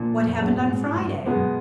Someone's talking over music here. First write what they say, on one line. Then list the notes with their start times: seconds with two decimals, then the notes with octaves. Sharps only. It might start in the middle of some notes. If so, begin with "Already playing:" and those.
"What happened on Friday?"
Already playing: A#2 F3 A#3 D4
0.27 F2
0.39 F#2 G#3 C#4 F#4
0.55 G2
0.69 G#2
0.83 A2
0.96 G#2
1.04 G2
1.26 G2 B2 G#3 B3
1.35 F#2